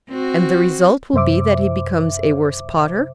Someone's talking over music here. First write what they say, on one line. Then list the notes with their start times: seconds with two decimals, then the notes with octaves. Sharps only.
And the result will be that he becomes a worse potter?
0.10 C4 F#4
1.13 F#2 C3 C5 E5 D6